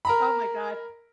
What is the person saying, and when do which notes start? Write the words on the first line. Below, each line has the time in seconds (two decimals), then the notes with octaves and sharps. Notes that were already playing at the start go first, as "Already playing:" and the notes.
Oh my god.
0.05 A#4 A#5 B5